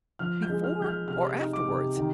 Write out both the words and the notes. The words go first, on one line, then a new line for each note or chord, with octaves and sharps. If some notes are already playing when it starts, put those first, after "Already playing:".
"Before, or afterwards?"
F3 F6
G6
G#3
F6
G#3 G6
F6
C3 F6
D#4
D6
C3
D#3